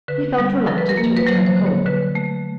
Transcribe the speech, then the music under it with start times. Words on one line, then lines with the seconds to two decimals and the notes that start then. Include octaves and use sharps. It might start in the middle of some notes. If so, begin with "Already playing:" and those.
He felt reluctant to return home.
0.08 D3 B4
0.38 G3
0.67 F3 A#4
0.78 B4
0.89 A#4
0.97 A#3
1.17 B4
1.26 F#3 C5
1.46 C5
1.56 D3
1.66 C#5
1.86 D3 B4
2.15 A3